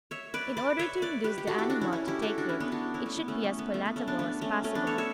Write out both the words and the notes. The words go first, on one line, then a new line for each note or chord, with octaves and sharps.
In order to induce the animal to take it, it should be as palatable as possible.
C#5 E5
B4 D5
B4 D5
C#5 E5
B4 D5
G4 B4
G4
F#4 A4
E4 G4
D4 F#4
C#4 E4
C#4 E4
E4 G4
F#4 A4
D4 F#4
C#4 E4
B3 D4
D4 F#4
C#4 E4
A3 C#4
B3
A3 C#4
A3
B3
A3
B3
A3 C#4
B3 D4
B3 D4
A3 C#4
A3 C#4
B3 D4
A4 C#5
C#5 E5